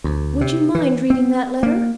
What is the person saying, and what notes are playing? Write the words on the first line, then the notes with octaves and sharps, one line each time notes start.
Would you mind reading that letter?
D2
C3
E3
C4
A#3